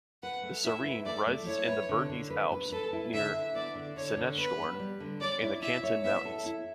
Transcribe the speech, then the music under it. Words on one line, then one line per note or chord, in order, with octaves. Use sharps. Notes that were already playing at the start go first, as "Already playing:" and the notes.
The Sarine rises in the Bernese Alps, near Sanetschhorn, in the Canton of Valais.
B4 F#5
A3
E4 E5
B4
A3 D5
A3
E4 C#5
B4
D3
D3
B4
B4
A4 B4
E4
D3 E5
D3
B3 D5
D3
D3 C#5
D3
B3 B4
B3
G3
D3
C#5 D5
E4
E4 E5
C#5
B3 E5
A4
E4